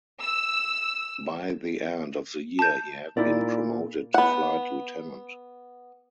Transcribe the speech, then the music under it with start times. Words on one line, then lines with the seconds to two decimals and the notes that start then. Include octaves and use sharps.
By the end of the year he had been promoted to flight lieutenant.
0.21 E6
2.59 A5 G6
3.17 A#2 D#4 E4 D5
4.14 B3 F#5